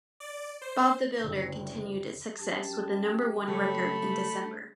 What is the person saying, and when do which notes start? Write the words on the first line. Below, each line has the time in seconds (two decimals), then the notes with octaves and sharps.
Bob the Builder continued its success with the number one record in December.
0.20 D5
0.62 C5
1.20 F#1 D2
2.39 F#2 G4 A5
3.47 C#3 F#3 A3 C#5 B5